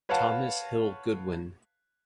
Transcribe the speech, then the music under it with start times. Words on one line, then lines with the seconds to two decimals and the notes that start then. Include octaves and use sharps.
Thomas Hill Goodwin.
0.09 B4 C#5 F5 F#5 A5